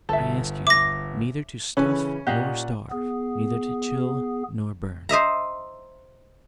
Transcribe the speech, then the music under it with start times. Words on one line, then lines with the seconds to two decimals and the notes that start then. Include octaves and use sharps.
I ask you, then, neither to stuff nor starve; neither to chill nor burn.
0.09 G1 A4 E5
0.67 E5 D6 A#6
1.77 C#3 E3 C#4 A4 B4 B5
2.27 A#2 G4 D#5 F5 F#5 F#6
2.91 B3 G#4
5.09 C5 D#5 E5 A#5